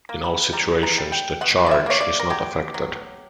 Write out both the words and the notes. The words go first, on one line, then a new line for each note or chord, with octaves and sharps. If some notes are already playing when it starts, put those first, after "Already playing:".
In all situations, the charge is not affected.
A#3
B5
G3 A#5
A#5
G3
G5
B2 F#5
D5
E5
A#3 C#5
D5
A#4
F#3 G4
F#3